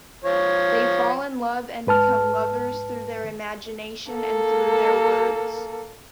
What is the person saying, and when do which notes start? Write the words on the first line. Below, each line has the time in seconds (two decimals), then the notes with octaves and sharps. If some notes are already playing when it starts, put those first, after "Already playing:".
They fall in love and become lovers through their imagination and through their words.
0.24 F3 C#5
1.87 G#2 B4 A5 F6
4.11 A#3 A4